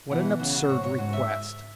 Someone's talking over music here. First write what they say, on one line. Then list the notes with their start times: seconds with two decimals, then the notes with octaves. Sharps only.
What an absurd request!
0.11 B2 E3 F#5
0.25 F#5
0.40 C#3 F#4
0.55 F#4
0.68 G#2 C#5
0.83 C#5
0.98 G#2 F#4
1.13 E5